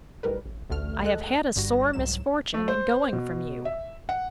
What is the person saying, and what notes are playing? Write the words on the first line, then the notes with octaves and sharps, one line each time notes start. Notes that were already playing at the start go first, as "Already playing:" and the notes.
'I have had a sore misfortune in going from you.
B1 A2 G3 A#4 B4
A1
A1 D2 D3 A3 F6
D2 G#3 A4 D#5 F#6
G1 G2 G3 F#4 A#6
C2 G#2 F#3 E7
A3
C5
B2
E5
F#5